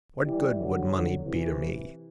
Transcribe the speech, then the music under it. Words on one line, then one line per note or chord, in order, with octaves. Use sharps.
What good would money be to me?
E3 G3
D3 F#3
D3 F#3
C3 E3